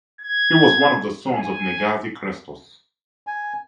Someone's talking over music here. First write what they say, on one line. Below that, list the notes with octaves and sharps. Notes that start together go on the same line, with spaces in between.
He was one of the sons of Negasi Krestos.
G#6
G#5
G#5